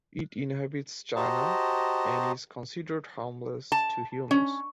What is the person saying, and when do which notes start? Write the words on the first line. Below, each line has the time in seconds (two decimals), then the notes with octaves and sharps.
It inhabits China and is considered harmless to humans.
1.16 F#4 G4 C5 D#5 A5 A#5
3.72 A5
4.31 C#4